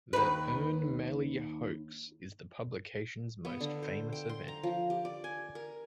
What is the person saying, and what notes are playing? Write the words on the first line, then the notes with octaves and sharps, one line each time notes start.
The Ern Malley hoax is the publication's most famous event.
D#2 D#4 B4
B3
D3
C5
G5
C6
A#5
F3
G4
D5
G#5
A#4